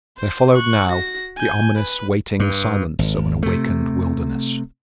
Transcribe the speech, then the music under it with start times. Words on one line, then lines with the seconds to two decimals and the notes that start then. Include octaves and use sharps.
There followed now the ominous, waiting silence of an awakened wilderness.
0.17 C5
0.51 C#6 F#6
0.90 F#4 A#6
1.37 G#5 G6
1.76 B4
2.40 G2
2.99 G#1
3.43 C3 A3